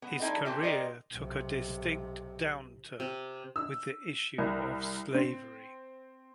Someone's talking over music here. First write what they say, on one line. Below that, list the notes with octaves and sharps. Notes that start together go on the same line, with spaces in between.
His career took a distinct downturn with the issue of slavery.
B3
G3 C4 D#4 E4 A4
A#2 E3 C4 G4 A4 E5
G4 A#4 C5 D5 D#5
B1 C3
C3
E6
C2
C4